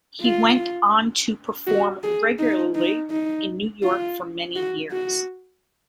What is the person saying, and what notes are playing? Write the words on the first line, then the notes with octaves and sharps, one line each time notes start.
He went on to perform regularly in New York for many years.
F4
F#4
G#4
D#4
D#4
D#4
F4
F#4
F#4